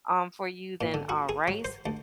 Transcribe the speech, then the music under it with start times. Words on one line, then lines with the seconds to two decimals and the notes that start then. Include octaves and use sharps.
um, for you than, uh, rice,
0.81 A#2
0.94 D3
1.09 F#4
1.29 G#4
1.48 F#3
1.65 C5
1.86 D2